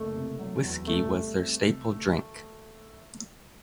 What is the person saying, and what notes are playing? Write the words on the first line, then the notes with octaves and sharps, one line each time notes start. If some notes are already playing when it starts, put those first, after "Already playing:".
Whiskey was their staple drink.
Already playing: F#1 A3
C3
F#3
E2
C2 A3
G3
C4
C3
D2